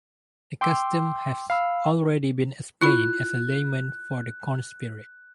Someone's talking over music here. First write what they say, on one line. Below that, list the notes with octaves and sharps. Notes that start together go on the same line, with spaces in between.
The custom has already been explained as a lament for the corn-spirit.
G5 C6 D6 E6
F5 B5 E6
E4 F4 B5 F#6